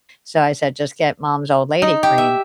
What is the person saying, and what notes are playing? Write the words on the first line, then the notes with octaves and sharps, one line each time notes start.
So, I said, "Just get mom's old lady cream,"
D#4
G4
E5